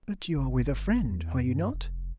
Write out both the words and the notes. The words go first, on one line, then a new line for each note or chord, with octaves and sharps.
"But you are with a friend, are you not?"
G1
E2
G2
F1